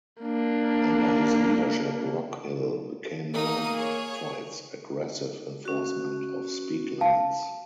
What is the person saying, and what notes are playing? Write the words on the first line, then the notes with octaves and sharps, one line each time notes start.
Under his leadership Rock Hill became known for its aggressive enforcement of speed limits.
A#3 D4
A#3 D#4 D#6
G#4 C#5
C#4 F#4
F5 A5